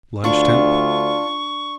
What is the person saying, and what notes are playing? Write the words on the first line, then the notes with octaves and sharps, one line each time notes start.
Lunch Temp.
D2 D4 F4 C#6